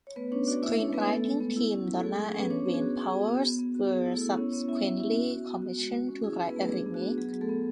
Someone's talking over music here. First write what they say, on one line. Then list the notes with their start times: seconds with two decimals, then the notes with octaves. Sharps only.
Screenwriting team Donna and Wayne Powers were subsequently commissioned to write a remake.
0.07 C#5
0.16 A3 B3 B4
0.32 C#4 D4 C#5
0.48 D4 F#4 D5
0.62 A3 E4 E5
0.78 C#4 D4 C#5
0.94 A3 B3 B4
1.09 A3 B3 A4
1.25 G#3
1.41 B3
1.57 E4
1.72 C#4
1.87 F#3
1.94 A4
2.03 A3 G#4
2.16 G#4
2.19 A3
2.27 G#4
2.34 B3 C#4 B4
2.50 C#4 D4 C#5
2.66 B3
2.74 G#4
2.82 F#4
2.97 F#4 G#4
3.13 B3
3.28 B3
3.43 B3
3.59 B3
3.75 F#4
3.90 B3 G#4
4.06 E4
4.14 A3 A4
4.21 E4
4.37 B3 C#4 C#5
4.52 B3 C#4 C#5
4.68 B3 E4 E5
4.84 C#4 E4 E5
5.00 C#4 E4 E5
5.16 F#4
5.30 F#4
5.46 B3
5.62 F#4
5.78 G#3
5.93 F#4
6.09 C#4
6.24 E4 G#4
6.40 C#4
6.48 B3 B4
6.56 A3
6.71 D4 G#4
6.86 B3
6.94 F#4
7.02 B3
7.18 F#3 G#4
7.33 F#3
7.41 A3 A4
7.49 B3